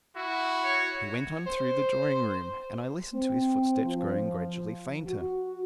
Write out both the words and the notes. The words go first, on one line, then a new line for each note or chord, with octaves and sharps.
He went on through the drawing-room, and I listened to his footsteps growing gradually fainter.
E4 F#4
C#5
C5
C4
F3
F#4